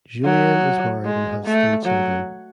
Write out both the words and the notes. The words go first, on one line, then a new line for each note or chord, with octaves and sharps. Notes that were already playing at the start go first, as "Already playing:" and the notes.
Julien is married and has three children.
F#3
G#3
A3
F#3